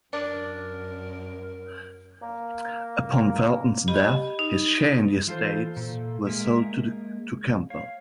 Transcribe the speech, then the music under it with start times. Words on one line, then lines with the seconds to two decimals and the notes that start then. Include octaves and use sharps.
Upon Felton's death, his share in the Estates were sold to Campbell.
0.13 F#2 D4 A#4
2.22 A#3
3.88 G4 D#5 B5
4.39 D#4
5.27 E3 F4 A4 C5
5.76 A#2 A4
6.27 G#3 A#3 G#4 A#4 E5
7.70 C#5 F5